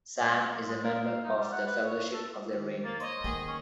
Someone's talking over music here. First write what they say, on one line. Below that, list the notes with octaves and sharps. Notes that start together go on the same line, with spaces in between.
Sam is a member of the Fellowship of the Ring.
G#3
F4
G#3
A#4
F5
D#4
G3
F#5
B4
C#5
A4
D#2
A#3 A6
C5 C#5 D#5
D#3 A#3 B3 G#4
C#4